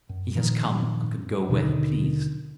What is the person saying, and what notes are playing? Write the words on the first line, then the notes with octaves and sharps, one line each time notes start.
He has come and can go when he please.
F#2
G2 A#2 D#3 F3
D#2 B2 D3 D#3